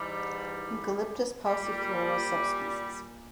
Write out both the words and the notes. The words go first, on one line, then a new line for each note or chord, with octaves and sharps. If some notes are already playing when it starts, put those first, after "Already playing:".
Eucalyptus pauciflora subsp.
Already playing: G#2 E3 G3
A#2 G3